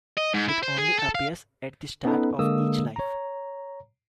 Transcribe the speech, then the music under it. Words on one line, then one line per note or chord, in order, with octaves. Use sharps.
It only appears at the start of each life.
D#5
G#2
E4
C5
G#4
A4
F5
B3 C#4 D#4 A4 B4
D3 G#3 A#3 D#6 E6
C#5 A#5